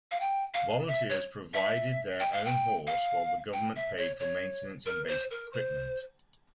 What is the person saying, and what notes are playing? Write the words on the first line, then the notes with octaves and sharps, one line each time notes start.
Volunteers provided their own horse while the government paid for maintenance and basic equipment.
F5
G5
F5
E5
C#5
E5
G5
F5
G5
F5
G5
E5
C#5
C#5
A#4
C5
A#4
C5